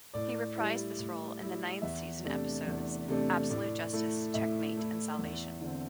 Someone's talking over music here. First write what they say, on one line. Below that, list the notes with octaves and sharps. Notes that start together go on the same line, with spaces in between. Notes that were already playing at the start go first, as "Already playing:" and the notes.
He reprised this role in the ninth-season episodes "Absolute Justice", "Checkmate", and "Salvation".
A2 D5
G3 E4
A2
G3 E4
E2 E5
C3 A3 D4
E2
C3 A3 D4
A2 D5
A3 E4
A2 E5
A3 E4
E2
D3 C4